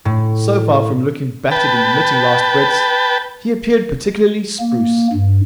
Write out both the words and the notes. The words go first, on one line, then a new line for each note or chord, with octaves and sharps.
So far from looking battered and emitting last breaths, he appeared particularly spruce.
A2
B4 G5 A5
A#3
G2